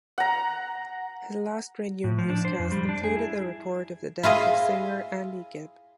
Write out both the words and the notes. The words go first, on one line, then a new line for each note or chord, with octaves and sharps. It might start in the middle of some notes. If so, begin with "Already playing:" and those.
His last radio newscast included a report of the death of singer Andy Gibb.
F#5 A#5
A2
F3
D4
C5
F2
G3
D4
G#4
E4
E4 F4 G#4 D#5